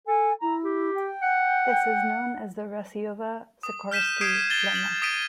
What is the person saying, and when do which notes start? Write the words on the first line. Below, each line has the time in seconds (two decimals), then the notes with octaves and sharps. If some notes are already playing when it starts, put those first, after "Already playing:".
This is known as the Rasiowa-Sikorski lemma.
0.07 A4 G#5
0.42 E4 A#5
0.65 G4
0.95 G5
1.22 F#5
3.63 D#6
3.91 F6 G6 B6 D#7 E7
4.21 D#6 G#6 C7 D7 D#7
4.50 A6 G7
4.75 F#7
5.02 D#6 A6 B6 D7 D#7